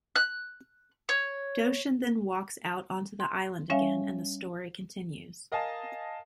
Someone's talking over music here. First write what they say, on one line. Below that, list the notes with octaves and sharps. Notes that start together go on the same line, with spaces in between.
Doshin then walks out onto the island again and the story continues.
F#6
C#5
C6
G3 C#4 C#5 E5 F5 G#5
A#4 D#5 F5 G#5 A5